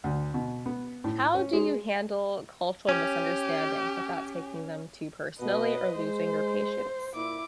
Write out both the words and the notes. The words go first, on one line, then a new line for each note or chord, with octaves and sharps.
how do you handle cultural misunderstandings without taking them too personally or losing your patience?
D2
B2
B3
A2
C#4
G#3
C#4 G4
B2 B4 D#5
G#3 C5
A#2 E4 D6